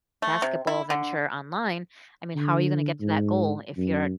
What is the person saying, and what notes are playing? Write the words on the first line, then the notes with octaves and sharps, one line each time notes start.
basketball venture online. I mean, how are you gonna get to that goal if you're
A3
C3
E4
D3
D3
G#2
F#2